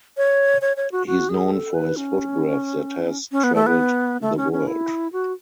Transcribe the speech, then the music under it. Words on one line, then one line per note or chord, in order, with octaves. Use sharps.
He is known for his photograph that has traveled the world.
C#5
C#5
C#5
F#4
F#4
G#4
A4
B4
C#4
C#4
B3
A3
B3
A3
C#4
C#4
E4
F#4